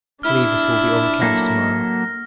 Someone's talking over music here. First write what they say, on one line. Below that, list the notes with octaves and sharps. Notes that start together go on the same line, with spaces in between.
I believe it will be overcast to-morrow.
D4 E4 F6
F#3 A#3 A4 A#6